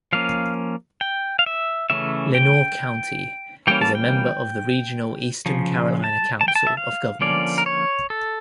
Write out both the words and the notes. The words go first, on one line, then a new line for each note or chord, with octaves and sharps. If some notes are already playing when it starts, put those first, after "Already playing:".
Lenoir County is a member of the regional Eastern Carolina Council of Governments.
F3 A#3 C#4 F5
G5
F5
E5
C#3 E3 A3 C#4 E5
G5
E3 G3 A#3 C#4 G5
A5
G5
C#3 F3
A5
A5
G5
A5
E5
F5
D3 F3 A#3 C#4 D5
A#4
C#5
A4